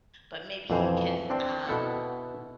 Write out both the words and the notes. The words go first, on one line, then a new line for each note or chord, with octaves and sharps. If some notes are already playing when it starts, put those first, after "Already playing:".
but maybe you can, um
F2 B2 E3 C5 G#5
C4 D4
B2 E4 A4 F#5